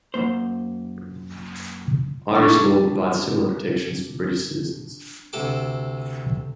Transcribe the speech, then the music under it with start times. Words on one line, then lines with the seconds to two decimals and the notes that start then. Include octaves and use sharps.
Irish law provides similar protections for British citizens.
0.14 F#2 A#3 C5
2.35 D4 C#6
5.33 D2 C3 A4 D6